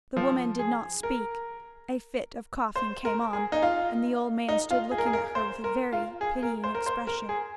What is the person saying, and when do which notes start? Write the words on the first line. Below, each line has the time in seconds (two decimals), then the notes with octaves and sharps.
The woman did not speak; a fit of coughing came on, and the old man stood looking at her with a very pitying expression.
0.17 F3
0.59 G#4
1.03 A#4
2.76 C5
3.05 A#4
3.33 G#4
3.52 D#4
3.63 F4
4.48 D#4
4.70 F4
4.91 G#4
4.98 A#4
5.06 G#4
5.13 A#4
5.35 C5
5.64 A#4
5.92 F4
6.21 G#4
6.43 A#4
6.64 C5
6.75 A#4
6.86 C5
7.07 A#4
7.29 G#4